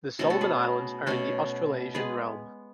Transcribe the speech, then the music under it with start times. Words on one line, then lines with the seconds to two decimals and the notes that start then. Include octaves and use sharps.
The Solomon Islands are in the Australasian realm.
0.19 B2 A3 C#4 F#4 A4
0.30 F#4 A4
0.41 G#4 B4
1.06 B2 A3 C#4 F#4 A4
1.94 G#3 B3 G#4 B4